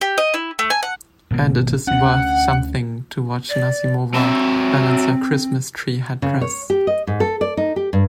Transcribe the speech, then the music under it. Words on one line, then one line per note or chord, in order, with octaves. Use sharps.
And it is worth something to watch Nazimova balance her Christmas-tree headdress!
G4
D#5
E4
A3
G#5
F#5
G#1 B2 A#3
D2 C#4 F#5
D5
F#3 C4 E5
C#3
C#5
G4
D#5
G#2
A4
D5
D#4
G4
G2